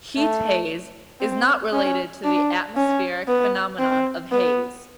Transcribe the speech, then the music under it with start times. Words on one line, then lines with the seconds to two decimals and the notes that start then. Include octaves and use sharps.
Heat haze is not related to the atmospheric phenomenon of haze.
0.18 A3
1.21 C4
1.73 C#4
2.25 D4
2.77 C#4
3.28 B3
3.80 C4
4.32 B3